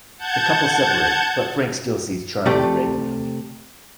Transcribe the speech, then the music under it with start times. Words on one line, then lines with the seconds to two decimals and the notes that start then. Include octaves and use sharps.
The couple separate, but Frank still sees Charley regularly.
0.18 F#5 A5 G6 G#6
2.46 C3 A3 G4 D5